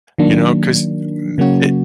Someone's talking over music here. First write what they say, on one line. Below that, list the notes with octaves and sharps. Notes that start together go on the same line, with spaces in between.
you know, 'cause n it
D#3 F#3 A#3 D4
C#3 F#3 A#3 C#4 F#4